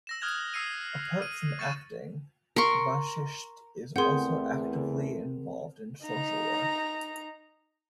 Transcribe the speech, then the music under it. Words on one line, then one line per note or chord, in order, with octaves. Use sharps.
Apart from acting, Vashisht is also actively involved in social work.
E6 A#6 E7
D#6 F6 F#6 G#6 F7
D#6 E6 C7 C#7 D#7
D#7
C#6 A6 C#7 D#7 E7
A#4 C6 C#6
E2 A3 C4 G#4 A#4 F#5 G5 C6
D#4 A#5